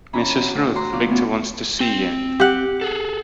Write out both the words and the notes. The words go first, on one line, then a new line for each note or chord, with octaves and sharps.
Mrs. Ruth Victor wants to see you.
E3 C#4 A#5 B5
E3 C4 F#4
A2 C5 D5
F#4 C5 D5 A#5 C6 F#6
D2 B2 F3 F4 D5 F5
A3 B3 C#4 E4 F#4
C4 G5
G4 F#5
G#4 A4